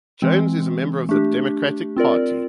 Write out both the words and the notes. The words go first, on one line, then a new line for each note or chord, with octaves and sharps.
Jones is a member of the Democratic Party.
E3 G#3 C4
A3 D4 G4
C4 F4 A#4 D5